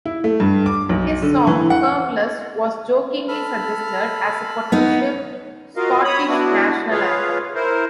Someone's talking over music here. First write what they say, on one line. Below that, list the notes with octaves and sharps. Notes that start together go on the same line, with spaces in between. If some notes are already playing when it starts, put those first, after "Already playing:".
His song "Hermless" was jokingly suggested as a potential Scottish national anthem.
E4
A3
G2
D6
B1
D3
E3
F#5
A4 B5 F6
B3 D#4 B4
F4 F#4 A#4 D#5 F5
C#5 B5 D#6
B3 D4 E4 F#4
F4 G#4 B4 C#5 F5
E4 A#4 C5